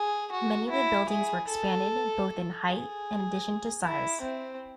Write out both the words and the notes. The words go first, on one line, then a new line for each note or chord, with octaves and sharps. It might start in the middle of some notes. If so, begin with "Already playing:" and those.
Many of the buildings were expanded, both in height, in addition to size.
Already playing: G#4
F#4
E4
G#4
A4
G#4
E4
C4